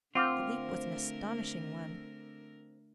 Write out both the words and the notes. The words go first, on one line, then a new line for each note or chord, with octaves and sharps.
The leap was an astonishing one.
D3 A3 C4 F4 A#4 F#5 D6 F6